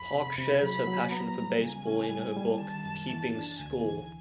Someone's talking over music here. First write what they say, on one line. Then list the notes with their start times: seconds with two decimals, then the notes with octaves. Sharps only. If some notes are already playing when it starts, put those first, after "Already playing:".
Park shares her passion for baseball in her book, "Keeping Score".
Already playing: F2 B5
0.14 C3
0.38 C3
0.62 F#3 B5
0.87 F#3
1.12 B3 A#5
1.37 G3
1.61 C#3 G#5
1.87 C#4
2.11 G3
2.36 G3
2.61 D#3 A5
2.85 F#2
3.10 E3 A5
3.35 D4
3.59 D2 G#5
3.84 E3